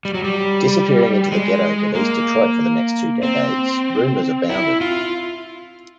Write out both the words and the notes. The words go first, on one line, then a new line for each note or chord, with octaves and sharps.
Disappearing into the ghettos of East Detroit for the next two decades, rumors abounded.
G3
F#3
G3
G#3
A#3
C4
E4
F4